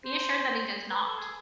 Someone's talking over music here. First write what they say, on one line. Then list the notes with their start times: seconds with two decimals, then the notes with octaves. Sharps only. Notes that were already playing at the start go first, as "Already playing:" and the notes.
Be assured that he does not!
0.05 C5
0.91 B4
1.06 A4
1.19 G#4